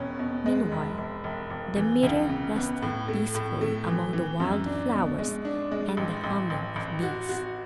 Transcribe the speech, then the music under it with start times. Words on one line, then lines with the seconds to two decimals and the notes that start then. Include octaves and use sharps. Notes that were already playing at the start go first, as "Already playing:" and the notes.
Meanwhile the mirror rested peacefully among the wild flowers and the humming of bees.
Already playing: E1 B2 C#4
0.19 B2
0.46 G#3
0.72 E1
0.98 E1
1.24 E1
1.50 E1
1.76 E3
2.03 C#2
2.29 C#3
2.56 B3
2.82 A2
3.08 A3
3.35 A2
3.61 A3
3.87 E3
4.13 E3
4.40 F#2
4.66 D4
4.93 B2
5.19 G#3
5.45 D4
5.71 G#3
5.97 A1
6.24 A1
6.50 A1
6.76 A1
7.03 F#4
7.29 F#4